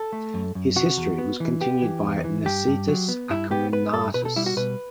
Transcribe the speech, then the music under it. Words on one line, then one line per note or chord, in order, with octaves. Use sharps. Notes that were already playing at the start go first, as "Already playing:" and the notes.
His history was continued by Nicetas Acominatus.
Already playing: A4
A3
F#2
F#2
C3 F#4
E2
B3
E3
B3 G4
E3
E2
E3
G2 G4
G2
F#3
B3
G2 E4
B3 G4
B3 B4
G2 A4
B2 B4
A4
G3 E4
F#4
B2 B4